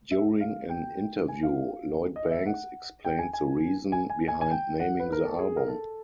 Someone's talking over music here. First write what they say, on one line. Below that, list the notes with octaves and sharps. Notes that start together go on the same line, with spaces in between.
During an interview Lloyd Banks explained the reason behind naming the album.
E5
F5
G5
G#5
F5
D#5
E5
F#5
G5
G#5
G#5
G#5
G#5
G#5
G#5
G5
F#5
B4
A#4
A4
G#4
A#4
A4